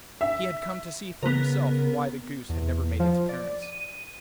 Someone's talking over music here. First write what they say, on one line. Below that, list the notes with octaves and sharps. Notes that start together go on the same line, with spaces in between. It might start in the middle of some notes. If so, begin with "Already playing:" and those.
He had come to see for himself why the goose had never made its appearance.
E5
C#3 B3 A#4
E2
F3
D5
D#7